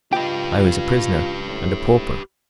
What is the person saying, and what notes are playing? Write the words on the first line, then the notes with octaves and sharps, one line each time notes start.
I was a prisoner and a pauper.
C#2 F4 G4 B4 G5
A2